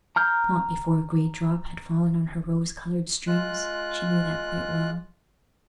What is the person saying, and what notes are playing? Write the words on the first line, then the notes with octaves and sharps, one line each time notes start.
Not before a great drop had fallen on her rose-coloured strings--she knew that quite well.
A#5 F6 G6
G#3 F4 F#6